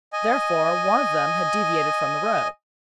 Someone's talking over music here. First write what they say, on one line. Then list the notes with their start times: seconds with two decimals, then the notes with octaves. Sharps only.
Therefore, one of them had deviated from the road.
0.13 D#5 G#5